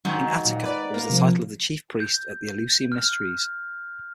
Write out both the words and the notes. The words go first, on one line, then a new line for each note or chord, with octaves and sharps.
In Attica it was the title of the chief priest at the Eleusinian Mysteries.
G#2 D#3 F#3
A#2
B4 D5
A#3
C3 F3
G6
F6